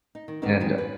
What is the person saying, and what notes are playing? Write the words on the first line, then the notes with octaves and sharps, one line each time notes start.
and, uh
D#4
D#3
D3 D#3 G3 B3 C#4 D#4
D#3 G#3 B3 C4
B4